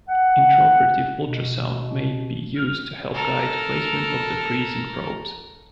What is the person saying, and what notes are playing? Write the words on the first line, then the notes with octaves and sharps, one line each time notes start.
Intraoperative ultrasound may be used to help guide placement of the freezing probes.
F#5
B2
F6
A4 A#4